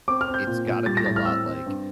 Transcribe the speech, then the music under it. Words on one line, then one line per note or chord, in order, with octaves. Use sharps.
it's gotta be a lot like
C4 D6
F6
C4
G6
A#2
A#2
G3 A6
A#6
A2 A6
F6
C4 E6
C4
G2